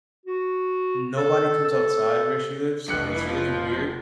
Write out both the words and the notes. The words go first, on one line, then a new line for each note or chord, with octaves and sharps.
nobody comes outside where she lives. It's really weird,
F#4
A4
A4
F1 G2 F#6 C#7
E3
F3